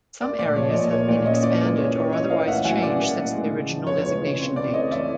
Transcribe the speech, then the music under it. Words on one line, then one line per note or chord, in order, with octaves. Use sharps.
Some areas have been expanded or otherwise changed since the original designation date.
A#3 D5
A#2 D5
F3 C#5
D#5
A#2 D5
A#3 C#5
A#2 D5
C#4 C#5 D#5
E3 D5
G#3 D5
E3 C#5
C#4 D5
E3 C#5 D#5
A#3 D#5 F5
A2 E5 F#5
F#3 F#5 G#5
C#4 D5
A#3
A2
G#3
C#3
F3
B3 C#5
G#3 C#5
C#3
C4
E3 D5
A3 C#5 D#5
E3 D5 E5